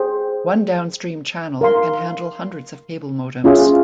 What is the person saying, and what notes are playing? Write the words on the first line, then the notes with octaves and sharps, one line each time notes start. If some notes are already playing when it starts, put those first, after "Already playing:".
One downstream channel can handle hundreds of cable modems.
Already playing: G#4 C5 G5
A#4 F5 C6
C#4 F4 G#4 E5